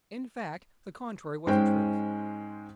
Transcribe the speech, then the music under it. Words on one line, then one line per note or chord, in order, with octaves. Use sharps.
In fact, the contrary was the truth.
G#2 G#3 C#4 C5 G5